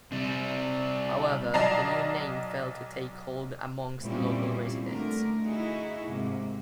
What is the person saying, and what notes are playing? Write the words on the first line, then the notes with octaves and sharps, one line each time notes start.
However, the new name failed to take hold amongst local residents.
C3 G3
B1 D5 D#5 A5 A#5 C7
F2 A#2 G3 C4 C#4 E4
D3 A3 A#4
D#4 E4 F#4 G#4
G#2 C3 A#3